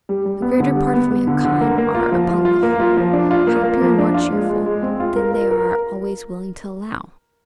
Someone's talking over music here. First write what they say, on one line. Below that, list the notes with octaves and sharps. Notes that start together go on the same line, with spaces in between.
The greater part of mankind are, upon the whole, happier and more cheerful than they are always willing to allow.
G3
G3
B3
D3
G3
B3
B3
D3
D3
A#3
A#3
F4
F3
F4
F4
A#3
F4
F3
D4
F4
A#3
A#3
F3
D4
F4
G#3
G#3
G#3
C4
F4
A#4
A#4
A#4